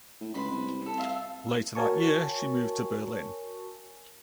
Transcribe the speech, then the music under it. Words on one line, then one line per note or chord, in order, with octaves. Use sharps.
Later that year she moved to Berlin.
A2
C#2 B4 B5 C6
C2
A4
F4 E5 F5
F#4 A#4 C#5 G#5 A5 C#6